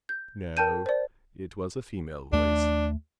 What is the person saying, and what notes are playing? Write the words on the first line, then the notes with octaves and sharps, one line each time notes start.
No, it was a female voice.
G6
A#4 G5 A5 G6 D#7
C5 D5
D#2 A3 D4